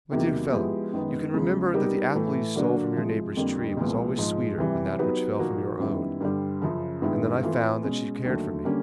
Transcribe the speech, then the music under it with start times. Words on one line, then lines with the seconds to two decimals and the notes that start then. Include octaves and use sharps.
"My dear fellow, you can remember that the apple you stole from your neighbour's tree was always sweeter than that which fell from your own. And then I found that she cared for me."
0.11 E2 C3 D#3 F#3 A#3
0.52 F3 G#3 B3 E4 G4
0.93 F#2 D#3 G#3 B3
1.34 E2 C#3 F3 G#3
1.74 G3 B3 D#4 G4 A#4
2.14 A2 E3 A3
2.55 D3 F#3 A#3 D4 F#4
2.96 C3 F3 G#3
3.37 F2 D3 G3 A#3
3.77 C2 A#2 F3 G#3 B3
4.18 G#2 F3 G#3
4.58 C3 E3 G3
4.99 F#3 B3 D#4 G4 B4
5.39 A#2 F3 A#3 D#4 F#4
5.80 F#2 D#3 G3 B3 E4
6.21 G2 D3 G3
6.62 F#2 C#3 F3
7.02 G2 D#3 G#3 B3 E4
7.43 E3 A3 C4 F4
7.83 B2 G#3 C#4
8.24 D#2 D3 F#3 A3
8.64 D3 G3 A#3 C#4